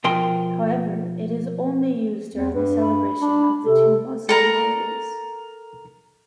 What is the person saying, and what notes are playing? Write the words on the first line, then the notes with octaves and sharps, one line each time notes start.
However, it is only used during the celebration of the two Muslim holidays.
B2 F3 A#4 G5 C6
E2 C4
G2 B4
B5
D4
C3 A4
A4 A#4 A#5